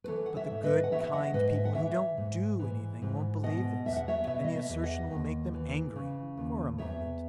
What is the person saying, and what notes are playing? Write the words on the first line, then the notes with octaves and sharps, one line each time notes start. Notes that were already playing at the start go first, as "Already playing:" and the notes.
But the good, kind people who don't do anything won't believe this, and the assertion will make them angry--for a moment.
B4
E3 A4 C#5
F#5
C#5 E5
G#2
B4 D#5
F#5
E3 C#5 E5
D#5 F#5
G#2 B4 D#5
E5
F#5
E3 C#5 E5
G#2
E3
G#2
B2 D#5 F#5
E2 E5
F#5
C#5 E5
B2 C#5 E5
D#5
C#5 E5
E2
D#5 F#5
D#2
E3
C#3
D#2
E2 C#5 E5